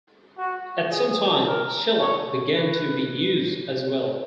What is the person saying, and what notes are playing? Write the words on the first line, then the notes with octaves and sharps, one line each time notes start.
At some time, shellac began to be used as well.
F#4
G#4
A#4
C#5
B4